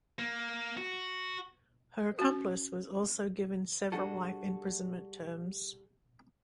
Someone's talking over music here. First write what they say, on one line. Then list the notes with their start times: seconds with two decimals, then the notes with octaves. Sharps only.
Her accomplice was also given several life imprisonment terms.
0.19 A#3
0.77 F#4
2.19 C#4 F#4
3.92 G3 D4 F#4 G#4 A4